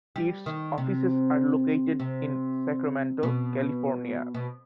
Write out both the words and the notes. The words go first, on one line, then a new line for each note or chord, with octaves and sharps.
Its offices are located in Sacramento, California.
G3
D#3
C3
C3
B2
B2